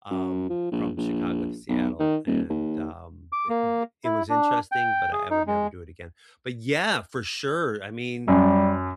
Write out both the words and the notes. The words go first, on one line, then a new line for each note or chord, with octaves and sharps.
um, from Chicago to Seattle. And, um, d d it was interesting, but I I would never do it again. But yeah, for sure I mean,
F#2
F3
A#1
A#1
B1
D#3
D#1
D#2
D6
A#3
E4
D4
G5
G#4
D#4
G#3
F#2 G3